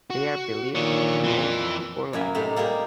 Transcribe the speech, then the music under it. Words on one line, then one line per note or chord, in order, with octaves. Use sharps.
They are believed to mate for life.
F#4
A#2 D3 D#3 C#5
F2 E3 F3
F#2 F#3 A#3 G#5 B5
A2 C3 A3 D#4 G4
G3 A#3 G4 G#4